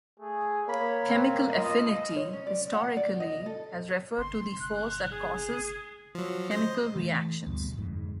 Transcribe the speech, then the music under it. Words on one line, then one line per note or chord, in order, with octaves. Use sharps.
"Chemical affinity", historically, has referred to the "force" that causes chemical reactions.
A3 G#4
A#3 C#5 B5
C4
F4 D#5
C#5
C#4
D5
F#5
D5
D#5
A4
G1 C6
F#6
G#4
F3 F#3
C5 D#5
E3 A3
D2 G2 B2
G1 F2 G#2